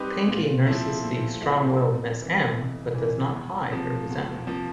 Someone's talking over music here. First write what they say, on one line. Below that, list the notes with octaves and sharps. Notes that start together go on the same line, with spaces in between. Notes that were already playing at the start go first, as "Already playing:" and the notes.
Pinky nurses the strong-willed Miss Em, but does not hide her resentment.
Already playing: G3 C4 D#4 G4 B4
A#2
F3 A3 C4 E4
A#2
F3 A3 C4 E4
F2
C3 E3
F2
C3 E3
E2
C3 F3 A#3
E2
C3 F3 A#3